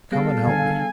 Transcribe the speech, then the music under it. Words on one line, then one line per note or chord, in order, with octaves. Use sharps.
"Come and help me."
G3 B3 G#4 A4 F5
D3 D#3 D4 G#5